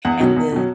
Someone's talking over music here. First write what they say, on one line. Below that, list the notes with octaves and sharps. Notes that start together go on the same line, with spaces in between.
and the
E2 F#5
B2 F#3
E2
B2 F#3